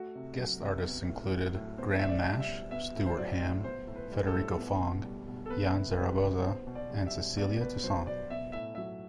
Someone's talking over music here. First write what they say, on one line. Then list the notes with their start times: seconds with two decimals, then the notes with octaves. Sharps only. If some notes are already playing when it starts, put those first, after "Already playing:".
Guest artists included Graham Nash, Stuart Hamm, Federico Fong, Yann Zaragoza and Cecilia Toussaint.
Already playing: A3 F#4
0.15 C3
0.38 F#3
0.61 C3
0.84 B3
1.08 A2
1.31 F#3
1.54 A2
1.78 B3 C5
2.00 B2 E5
2.09 D5
2.25 G3
2.40 E5
2.48 B2
2.71 B3 E5
2.95 A2
3.06 C5
3.17 F#3 D5
3.41 A2
3.64 B3 C5
3.87 A2
3.96 B4
4.11 G3
4.27 A4
4.34 A2
4.58 B3
4.81 B2
5.04 G3
5.28 B2
5.46 A4
5.50 B3 B4
5.75 C3
5.97 G3 B4
6.20 C3
6.43 B3 C5
6.67 B2
6.75 D5
6.90 G3
7.07 E5
7.14 B2
7.37 B3 D5
7.60 B2 B4
7.84 F#3 C5
8.07 B2 D5
8.30 B3 E5
8.52 A2 E5
8.75 F#3 E5